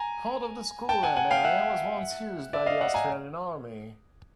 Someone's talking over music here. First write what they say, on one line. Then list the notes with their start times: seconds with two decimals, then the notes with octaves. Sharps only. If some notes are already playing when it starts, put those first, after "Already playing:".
Part of the school land area was once used by the Australian Army.
Already playing: G#5 A#5
0.89 G5 A5
1.03 F#5 G#5
1.17 F#5 G#5
1.31 F5 G5
1.44 E5 F#5
2.53 D5 E5
2.66 D#5 F5
2.81 E5 F#5
2.94 G#5 A#5